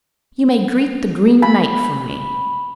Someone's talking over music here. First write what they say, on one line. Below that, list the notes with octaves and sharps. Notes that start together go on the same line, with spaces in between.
'You may greet the Green Knight from me.'
B5